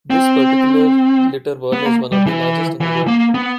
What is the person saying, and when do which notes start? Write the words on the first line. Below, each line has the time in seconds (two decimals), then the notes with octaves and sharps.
This particular glitter ball is one of the largest in the world.
0.10 C4
1.73 B3
1.85 A#3
2.12 G3
2.26 E3
2.81 E3
3.07 A#3
3.34 B3